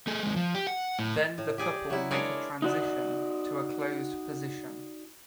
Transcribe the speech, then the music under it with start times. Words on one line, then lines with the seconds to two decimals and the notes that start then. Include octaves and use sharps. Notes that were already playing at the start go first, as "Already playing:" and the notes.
Then the couple makes a transition to a closed position.
0.07 A3 G#4
0.23 D#2 G#3
0.36 F3
0.55 G4
0.67 F#5
0.99 A2
1.38 A2
1.58 G4 G#4 D5
1.90 F#3 E4
2.11 G#3 D4 A#4 C#5 D5
2.62 D#4 F#4 D5